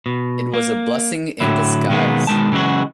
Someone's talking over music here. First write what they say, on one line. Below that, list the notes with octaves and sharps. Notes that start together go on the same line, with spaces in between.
It was a blessing in disguise.
B2
A#3
A2 D3 F#3 E4
B2 D#3 G#3 A#3 B3
B2 D#3 G#3 A5
C#3 E3 F#3 G#3 F#4